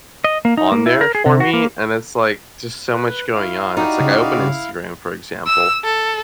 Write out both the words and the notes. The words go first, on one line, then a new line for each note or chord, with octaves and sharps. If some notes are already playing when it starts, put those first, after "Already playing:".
on there for me and it's like just so much going on and it's like I open Instagram for example,
D#5
A#3
D#4
A#3
E4
A#4
G#4
C3
F#4
A#3
B4
E4 F5
D#4 F#4 G4 D5
C#3
E6
A4